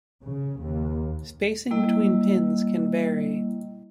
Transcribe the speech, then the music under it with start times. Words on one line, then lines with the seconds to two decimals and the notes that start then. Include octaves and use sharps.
Spacing between pins can vary.
0.24 C#3
0.61 D#2
1.71 G3 A#3 E4 D#5